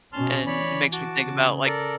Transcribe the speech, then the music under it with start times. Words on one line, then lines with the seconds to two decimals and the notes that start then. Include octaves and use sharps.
And it makes me think about, like,
0.13 B2 C#4 A5 C6 F6
0.47 E3 C#5 D5 B5
0.93 F#4 A5 D6
1.23 C#3
1.65 A4 A#4 D5